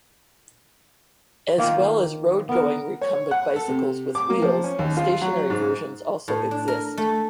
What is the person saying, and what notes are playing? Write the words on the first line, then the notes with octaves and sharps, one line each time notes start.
As well as road-going recumbent bicycles with wheels, stationary versions also exist.
D#3 A#3 F4
B3 A#4
C#5
F#5
A4
C3
D6
A#3
F3
C#4
D#2
F4
F#3
G#2
A2
D4
A#4
A3